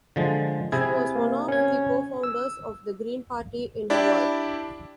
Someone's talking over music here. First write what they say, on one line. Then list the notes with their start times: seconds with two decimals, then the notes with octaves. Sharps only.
She was one of the co-founders of the Green Party in Hawaii.
0.16 D3 F3 G#3
0.72 C3 E4 G#4
1.15 A#3
1.48 C#4 G#6
2.23 E6
3.90 D4 E4 G4 D5